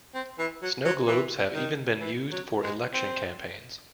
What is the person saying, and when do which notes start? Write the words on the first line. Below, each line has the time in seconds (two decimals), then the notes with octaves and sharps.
Snow globes have even been used for election campaigns.
0.14 C4
0.38 E3
0.62 F#3
0.85 F#3
1.07 E3
1.54 D#3
2.00 E3
2.31 F#3
2.62 G#3
2.93 C4